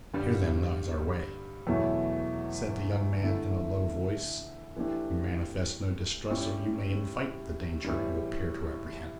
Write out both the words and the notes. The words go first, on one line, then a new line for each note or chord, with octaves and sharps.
"Here, then, lies our way," said the young man, in a low voice. "Manifest no distrust, or you may invite the danger you appear to apprehend."
G2 D3 G3
E2 B2 F#3 A3 E4
D3 A3 E4 A4
E3 A3 D4 G4
A2 G3 C#4 G4
A2 E3 G3